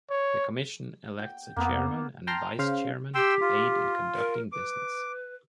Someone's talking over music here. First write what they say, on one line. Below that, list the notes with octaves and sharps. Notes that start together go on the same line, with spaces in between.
The commission elects a chairman and vice-chairman to aid in conducting business.
C#5
G5
F2 A#3 B3
G5 A5 A#5 C6 F6
C#3 C5 F5
G4 G5 C6 E6
F4
A#4
B4 D6